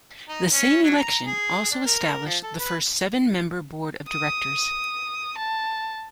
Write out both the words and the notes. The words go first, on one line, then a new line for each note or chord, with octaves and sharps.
The same election also established the first seven-member board of directors.
D#4
C#4
F#3
A#5
G#4
D4
A#4
F3
A4
B4
D#6
A5